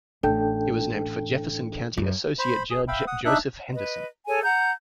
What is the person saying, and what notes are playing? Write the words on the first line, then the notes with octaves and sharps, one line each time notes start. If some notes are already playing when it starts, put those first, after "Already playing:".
It was named for Jefferson County Associate Judge Joseph Henderson.
A1 D4 A4 G5
F#2
C5 B5
G#4
E5 F5 G5 B5
F#5 D#6
D4 D#4 E5 F#6
B4 D#5
G#4 A4 C#5 G#5
F#5 A#5 G6